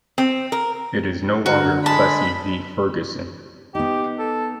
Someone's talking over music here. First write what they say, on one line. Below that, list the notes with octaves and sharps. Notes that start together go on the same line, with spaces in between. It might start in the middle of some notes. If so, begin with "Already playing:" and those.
It is no longer Plessy v Ferguson.
C4
A#4
D3 F#4 A#4
G#3 A5 B5
B3 D#4 G4
A4